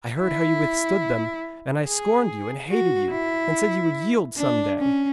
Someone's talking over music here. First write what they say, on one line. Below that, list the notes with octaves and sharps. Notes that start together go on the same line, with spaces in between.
I heard how you withstood them, and I scorned you and hated you and said you would yield some day.
E4
G#4
F#4
E4
D4
C#4